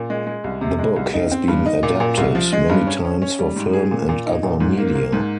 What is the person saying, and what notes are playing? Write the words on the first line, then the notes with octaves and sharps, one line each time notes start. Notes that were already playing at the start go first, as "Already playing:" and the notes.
The book has been adapted many times for film and other media.
Already playing: A#2
G#3
G#3
C2
C3
G#3
C2
D#4
C4
G2
D#4
A#2
A#2
C2
F3
G#3
G2
C#4
C#4
C#4
G3
G#2
G#4
A#2
A#2
D#4
A#2
G#2
A#3
A#3
G#2